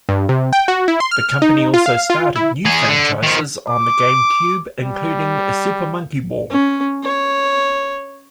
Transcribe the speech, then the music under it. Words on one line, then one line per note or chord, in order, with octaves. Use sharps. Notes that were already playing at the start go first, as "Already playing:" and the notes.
The company also started new franchises on the GameCube including "Super Monkey Ball".
G2
C3
G5
F#4
E4
C6
F6
D#4
F4
F5
F4
E4
E3 G#4
D3
D#3 F3
D6
G3
C#4
C#5